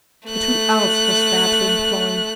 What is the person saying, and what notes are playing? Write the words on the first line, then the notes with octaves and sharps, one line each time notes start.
But who else was there to employ?
A3 F#6